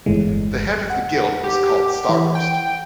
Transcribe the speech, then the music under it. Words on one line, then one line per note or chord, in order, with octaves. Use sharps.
The head of the guild was called "staroste".
G1 E2 A2 G#3
F#5
G4
E3
G5